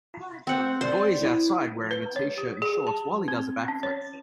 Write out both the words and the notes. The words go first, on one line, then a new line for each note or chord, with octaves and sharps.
A boy is outside wearing a tshirt and shorts while he does a back flip.
C4 C5 F#5
C5 D5
E4
B4
C#5
G4
G#4
A5
C4
C#4
C#5